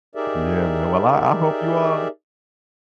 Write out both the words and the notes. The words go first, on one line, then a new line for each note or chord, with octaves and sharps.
Yeah, man. Well, I I hope you all
D#4 G4 G#4 A#4 D5 E5